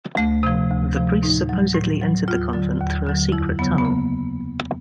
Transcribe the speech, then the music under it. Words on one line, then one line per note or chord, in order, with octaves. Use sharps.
The priests supposedly entered the convent through a secret tunnel.
D2 A3
C3 F3
D2
C3 F3
A2 D#4
F#3
A2
F#3
D#2 F4
D3 F#3
D#2
D3 F#3
F2 E4
C#3 F#3 B3
B3
A#3